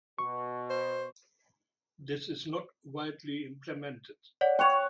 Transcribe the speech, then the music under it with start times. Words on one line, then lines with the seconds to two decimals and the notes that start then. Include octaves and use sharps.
This is not widely implemented.
0.19 B2 C#6
0.70 C5
4.41 C#5 D5 F#5
4.59 C#5 F#5 G5 C#6 F7